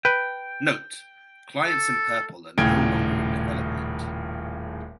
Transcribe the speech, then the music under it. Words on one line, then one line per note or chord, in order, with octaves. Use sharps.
Note: Clients in purple are no longer in development.
B4 G5
A4
D#1 A2 C#3 G5 G#6 D7